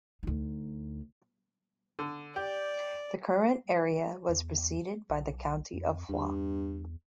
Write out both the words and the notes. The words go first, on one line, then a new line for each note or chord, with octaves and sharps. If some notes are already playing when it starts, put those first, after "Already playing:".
The current area was preceded by the County of Foix.
D2 D#4
D3
G4 D5
E2
B1
F2
E2 G2